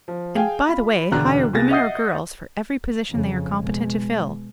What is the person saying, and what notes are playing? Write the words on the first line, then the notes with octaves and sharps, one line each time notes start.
And, by the way, hire women or girls for every position they are competent to fill.
F3
G#4 F5 G5 G#5
F4 B5
E1 D2 D4 G#4 A#5 F#6
C2 B3 G#4 A6 A#6
D#5 E5 F#5 D#6 G6 C7
F2 C#3
B2 G#3